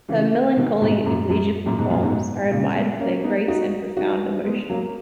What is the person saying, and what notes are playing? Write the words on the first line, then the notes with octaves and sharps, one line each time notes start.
Her melancholy, elegiacal poems are admired for their grace and profound emotion.
C#3 E3
B2 D#3
G#2 B2
F#2 A#2
F#2
F#2 A#2
G#2 B2
F#2 A#2
G#2 B2
A#2 C#3
G#3 B3
A#3 C#4
B3 D#4
D#4 F#4
D#4 F#4
G#3 B3
F#3 A#3